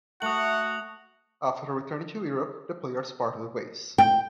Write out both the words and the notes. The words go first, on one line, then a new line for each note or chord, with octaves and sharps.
After returning to Europe, the players parted ways.
A3 F#4 F#5 D#6 F#7
G5